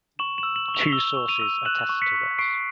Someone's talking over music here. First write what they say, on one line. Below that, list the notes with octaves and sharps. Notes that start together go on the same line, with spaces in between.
Two sources attest to this.
C#6 E7 F#7
E6 E7 F#7
E7 F#7
C#6
F7 G7
E6 F7 G7
C#6
D#7 F7
E6
F#6 E7 F#7
C#6
B6 C#7
C#6
C#6 C7 D7